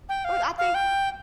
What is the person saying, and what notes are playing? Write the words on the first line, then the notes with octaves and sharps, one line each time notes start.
Well, I think
G5
F5
F5
G5